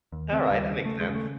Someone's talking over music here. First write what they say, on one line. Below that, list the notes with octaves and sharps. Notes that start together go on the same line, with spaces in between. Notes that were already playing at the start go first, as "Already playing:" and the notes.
All right, that makes sense.
D#2
C#3 C4
D#2 G3
C#3
A3
D#2
G#3
C#3
A3